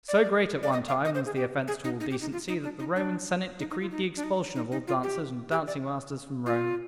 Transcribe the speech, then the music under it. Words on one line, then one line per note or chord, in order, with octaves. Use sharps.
So great at one time was the offence to all decency, that the Roman Senate decreed the expulsion of all dancers and dancing-masters from Rome.
D5
D5
D#5
F5
D#5
C5
G#4
G4
G#4
D#4
D#4
G4
D#4
F4
D#4
D4
D#4
D4
D#4
D#4
F4
D#4
D4
D#4
D#4
D#4
F4
G4
G4
D5
F4